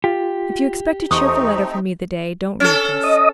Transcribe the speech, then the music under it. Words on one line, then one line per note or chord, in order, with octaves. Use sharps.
If you expect a cheerful letter from me the day, don't read this.
F4 G4
E2 A3 C4 D#4 C#6 D#6
C#4 A4
D#5